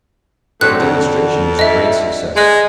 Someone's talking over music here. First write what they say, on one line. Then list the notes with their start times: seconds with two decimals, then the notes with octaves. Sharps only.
The demonstration was a great success.
0.61 D3 F#3 A3 C4 F#6
0.77 F2
1.59 D3 D#5 E5
2.36 G#3 D#5 F#6